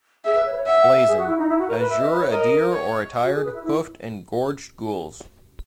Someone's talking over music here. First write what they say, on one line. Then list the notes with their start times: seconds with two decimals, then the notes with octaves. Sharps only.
Blazon: Azure a Deer Or attired, hoofed and gorged Gules.
0.24 G#4 E5
0.35 B4
0.46 C#5
0.51 B4
0.56 C#5
0.66 E5 F#5
0.79 F#5
0.94 A#4
1.07 G#4
1.18 F#4
1.27 E4
1.38 D#4
1.49 E4
1.58 F#4
1.68 A#4
1.79 B4
1.90 E5
1.99 D#5
2.10 B4
2.20 C#5
2.30 A#4 D#5
2.72 C#5
3.23 F#4
3.33 G#4
3.44 B4
3.54 E4
3.64 E4